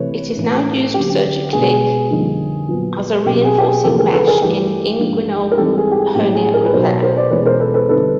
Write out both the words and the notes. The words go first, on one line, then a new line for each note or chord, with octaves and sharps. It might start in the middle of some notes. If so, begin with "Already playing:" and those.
It is now used surgically as a reinforcing mesh in inguinal hernia repair.
Already playing: C3 E3 A3 B4 C#5
A2 E3 A3
D3 F#3 A#3 C#4 G4
G4
B2 G#3 B3 D4 G#4
F2 D3 G3 A#3 D#4
A#2 F#3 B3
B2 F#3 A#3 C#4 G4
G#4
G4
G#4
E2 C#3 F3 A3 C4 G4 A4
G#4 A#4
A4 B4
G#4 A#4
G2 E3 A3 G4 A4
G#2 F3 A#3 D4
A#4
G#2 E3 G3 C4 D#4 G4 A4
G#4
G4
G#4
A2 F#3 A#3 C#4 G4
G#4
G#4 A#4
B4
B2 F#3 B3 D#4 A#4 C5
B4 C#5
A#4 C5
C5 D5
E2 B2 G#3 C#4 B4 C#5
A#4 C5
A4 B4
A4 B4
G2 D3 G3 C4 D#4 A4 B4